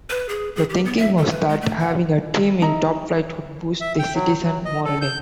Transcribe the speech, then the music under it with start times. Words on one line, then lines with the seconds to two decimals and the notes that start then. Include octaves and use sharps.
The thinking was that having a team in top-flight would boost the citizens' morale.
0.10 B4
0.29 G#4
0.56 G#4
0.70 G4
0.85 B3
0.98 E5
1.17 A4
1.30 B4
1.49 G#3
1.61 A3
1.79 F#5
2.62 D#4 E4 D#5 A#5
3.81 E5
3.99 G5
4.15 F#3
4.44 F#3
4.65 D#5
4.85 A4
5.01 G6